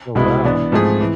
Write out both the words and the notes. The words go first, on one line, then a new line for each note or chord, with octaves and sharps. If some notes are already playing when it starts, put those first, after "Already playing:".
Oh, wow.
C2 B2 G#3 B3 E4
E3 B3 D4
G#2 F3 A3 C4 G#4
E3